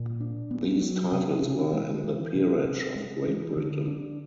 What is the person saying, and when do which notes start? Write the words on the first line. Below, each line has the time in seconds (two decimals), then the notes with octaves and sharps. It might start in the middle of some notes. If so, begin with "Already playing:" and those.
These titles were in the Peerage of Great Britain.
Already playing: A#2
0.20 D4
0.51 B3
0.82 F#3
1.12 C3
1.43 C3
1.73 G#3
2.04 E3
2.35 C3
2.65 C3
2.95 G#3
3.27 E3
3.57 D3
3.88 D4